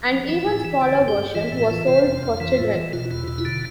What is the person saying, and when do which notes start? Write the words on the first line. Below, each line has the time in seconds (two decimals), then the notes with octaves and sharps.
An even smaller version was sold for children.
0.11 F3
0.29 E3 E4
0.47 A2
0.65 E3
0.81 D3
1.00 G2
1.08 G4
1.17 G2
1.34 E3 F4
1.52 A2
1.70 E3
1.87 C3 F4
2.06 F2
2.23 F2
2.40 E3
2.58 A2
2.75 E3
2.93 B2 F4
3.11 E2 F4
3.28 B2 F4
3.38 E4
3.45 D3 F4